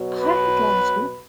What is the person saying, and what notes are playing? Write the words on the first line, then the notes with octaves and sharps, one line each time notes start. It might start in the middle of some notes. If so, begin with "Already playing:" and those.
I got you.
Already playing: B2 F#3
B4